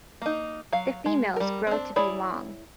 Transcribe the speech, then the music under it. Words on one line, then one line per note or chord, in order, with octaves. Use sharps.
The females grow to be long.
A#3 D#4
F#3 F5
G#3
G3 A#4
C4 D4
E4 G#4 C#5 D5